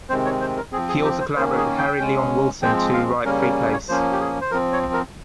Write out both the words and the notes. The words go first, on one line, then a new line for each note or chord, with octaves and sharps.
He also collaborated with Harry Leon Wilson to write three plays.
C3 D#3 G#3 C4 C5
C#5
C5
A#4
F3 C4 G#4
G#4
G4
C5
D#3 A#3 C#4 C5
G#4
G5
C#3 G#3 C#4
F3 G#3 C4 G5
F5
C#3 G3 A#3 C#4 A#4
A#4
C#5
F3 A#3 C#4 C5
G4
G#4
C5
F3 C4 A#4
C#5
A#4